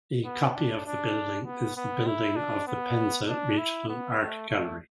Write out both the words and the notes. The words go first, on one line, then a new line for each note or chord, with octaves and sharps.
A copy of the building is the building of the Penza Regional Art Gallery.
B3
D4
D4
B3
B3
E4
D4
B3
D4
E4
B3
A3
A3